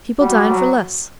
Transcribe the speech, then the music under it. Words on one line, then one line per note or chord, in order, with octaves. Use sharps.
People dine for less.
G3 F#4
F#3